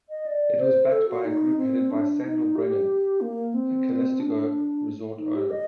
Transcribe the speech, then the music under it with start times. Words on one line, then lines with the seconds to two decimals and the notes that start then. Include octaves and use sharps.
It was backed by a group headed by Samuel Brannan, a Calistoga resort owner.
0.09 D#5
0.26 D5
0.59 C5
0.92 A4
1.08 F#4
1.25 D#4
1.57 C4
1.90 D4
2.23 D#4
2.56 G4
3.21 A#3
3.54 C4
4.20 D4
5.18 D#4
5.35 G4
5.51 D#5